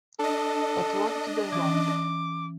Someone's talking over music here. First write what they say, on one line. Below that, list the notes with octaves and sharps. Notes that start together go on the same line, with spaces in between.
But what do they want?
D4 A4 D#5
E3 C#4 D6